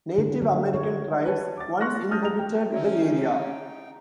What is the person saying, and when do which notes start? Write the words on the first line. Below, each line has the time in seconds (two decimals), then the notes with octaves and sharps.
Native American tribes once inhabited the area.
0.18 D3
0.42 F#3
0.74 C#5
1.25 B4 C#5 A5
1.57 D6 A6
1.81 C6 C#6 F6 F#6 A#6
2.11 A5 D#6 F6 G6 A#6
2.22 A#5 F7
2.39 G5
2.72 C#4 D#4 F#4 A#4 D5 E5 G5